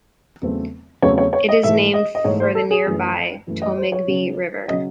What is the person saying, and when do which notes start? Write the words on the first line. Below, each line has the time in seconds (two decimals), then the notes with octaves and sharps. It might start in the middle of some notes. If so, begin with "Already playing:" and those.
It is named for the nearby Tombigbee River.
0.42 E2 C#3 F#3 A3 C4
1.02 E2 C#3 F#3 A3 C4 C#5
1.18 C#5
1.33 C#5
1.49 D#5
1.63 G#2 E3 A3 E5
1.94 D#5
2.15 D#5
2.24 G#2 E3 A3 C#5
2.40 C5
2.55 A4
2.71 G#4
2.86 F#2 E3 A3
3.47 F#2 E3 A3
3.62 D#5
3.77 C5
3.92 C#5
4.08 C#3 F#3 C#4
4.68 C#3 F#3 C#4 D#5